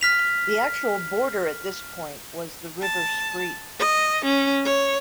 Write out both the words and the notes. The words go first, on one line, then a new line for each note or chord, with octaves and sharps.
The actual border at this point was the river Spree.
F6 B6 F7
A5
D#5
C#4
C#5